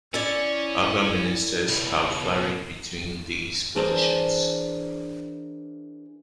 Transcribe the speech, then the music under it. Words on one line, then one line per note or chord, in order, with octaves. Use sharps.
Other Ministers have varied between these positions.
C#4 E4 C#5 D5
C#2 B2
E3 D4 G#4 A#4 C5 D5